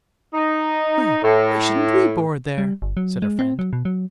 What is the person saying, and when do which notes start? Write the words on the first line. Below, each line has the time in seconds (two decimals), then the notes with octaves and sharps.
"Well, why shouldn't we board there!" said her friend.
0.34 D#4
1.23 A2
2.58 G3
2.82 G1
2.97 F#3
3.22 G#3
3.39 C4
3.59 F#3
3.73 B2
3.85 F#3